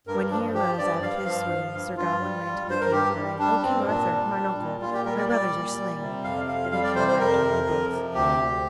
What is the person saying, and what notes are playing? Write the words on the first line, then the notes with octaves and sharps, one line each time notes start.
When he arose out of his swoon Sir Gawain ran to the king, crying, "O King Arthur, mine uncle, my brothers are slain." Then the king wept and he both.
G2 A#4
F3 D4
F3 G4
G2 D5
G2 F5
F3 F5
F3
G2
G2 F4
G3
G3
G2 C5
A#4
G2 G4
G3
G3 D4
G2 C4
A#2 D4
G3
G3
A#2
A#2 F4
G4
G3 A#4
D5
G3 D5
A#2
G3
C3
F2 F5
F2 F5
G3 F5
D5
C3 C5
C5
F2 A#4
F2
F3
C3
D2 G4
D2